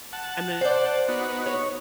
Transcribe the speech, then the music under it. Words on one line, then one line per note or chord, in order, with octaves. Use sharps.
and then
F#5 A5
C5 D5
B3 D#4 F#4
C#5